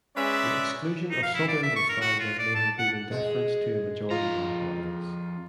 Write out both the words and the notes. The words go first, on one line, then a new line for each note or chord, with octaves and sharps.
The exclusion of southern nostalgia may have been in deference to a majority-black audience.
G#3 C#4 G#4 B4 D5 E5
D#4
F5
E4
D5
E5
C#6
A#4
F#4
F4
D5
A5
F#5
G#3
F2 F4 A#5